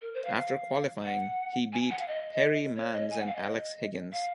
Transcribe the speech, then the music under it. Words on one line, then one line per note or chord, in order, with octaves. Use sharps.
After qualifying he beat Perrie Mans and Alex Higgins.
A#4
C5
F5
F5
F#5
G#5
F#5
F5
D#5
C#5
D#5
G#5
F#5
F5
D#5
F5